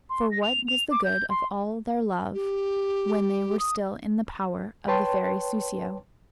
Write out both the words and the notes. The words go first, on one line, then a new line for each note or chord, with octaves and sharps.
For what was the good of all their love when they were still in the power of the fairy Soussio?
C6
A#6
F7
F7
D6
G6
C6
G4
D#6
B4 C#5 G5 A5 C6